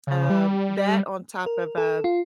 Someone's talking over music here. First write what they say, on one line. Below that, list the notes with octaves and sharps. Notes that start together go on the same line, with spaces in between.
um, that, on top of, uh,
C#3
G3
A#4
A4
F4